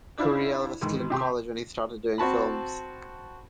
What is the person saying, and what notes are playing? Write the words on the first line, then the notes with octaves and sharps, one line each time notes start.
Curiel was still in college when he started doing films.
D4 E4 F4 C5
G#2 D#3 E3
C3 G4 C6
C4 F#4 A5 B5